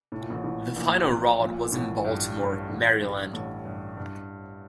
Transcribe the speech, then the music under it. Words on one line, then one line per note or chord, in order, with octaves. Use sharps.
The final route was in Baltimore, Maryland.
A2
A#2
A1 A2
A1 A2
A#1 A#2
A#1 A#2
A1 A2
G2
G2
A1 A2
G2
A1 A2
G2
G2